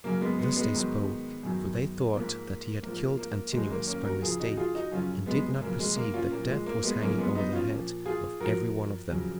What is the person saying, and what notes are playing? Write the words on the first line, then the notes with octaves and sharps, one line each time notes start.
Thus they spoke, for they thought that he had killed Antinous by mistake, and did not perceive that death was hanging over the head of every one of them.
F#2 C#3 F#3 A#3
G#3 B3
G#3 B3
G#3 B3
G#2 D#3 F#3
F#2 D#3 F#3
G#2 F3 A#3
G#2 F3 A#3
A#3
F#2 D#3 F#3 G#3
A#3
A#3 C#4
F#4 A#4
F2 C#3 F3 F4 G#4
D#4 F#4
F4 G#4
D#4 F#4
F#2 C#3 F3 C#4 F4
G#3 B3
G#3
F2 C#3 F#3 A#3
G#3
A#3
C#4 F4
A#2 F3 A#3
G#3
A#3
G#3 B3
F#2 C#3 F3 A#3 C#4
G#3 B3
B3 D#4
C#4 F4
A#2 F3
F4 G#4
F2 F3 F#4 A#4
F2 C#3 F#3